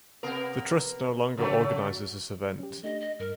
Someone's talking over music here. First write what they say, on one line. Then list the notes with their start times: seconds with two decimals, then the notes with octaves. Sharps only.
The Trust no longer organizes this event.
0.23 C3 B3 A#4
1.37 C#3 F#3 A3
2.59 C#4 G4
2.83 A3 D4 G4 D#5
3.00 D#5
3.20 G2 A#4